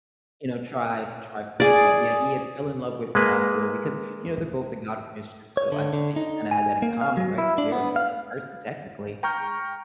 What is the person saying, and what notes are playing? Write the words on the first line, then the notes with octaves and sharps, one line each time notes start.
you know, try try for it, but yeah, he had fell in love with, uh, Sylvie 'cause, you know, they're both the God of mischief, so I think they just kinda had that in common, right? 'Cause they are the same person technically,
G#4 D5
G#3 A#3 B4
C#5
D3
D3
D#4
G#5
A#3
F5
F#3
E4
D4
B3
F5
G5 A#5 C#6 F6 G6